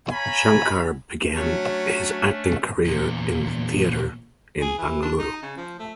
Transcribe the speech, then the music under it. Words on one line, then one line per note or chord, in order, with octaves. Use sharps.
Shankar began his acting career in theatre in Bengaluru.
C#5 F5 G#5 A#5 B5
F#3 A3 C#4 D4 C#5
E2 A#2
G#4
E3
D4
D#4
C#3
F3
A3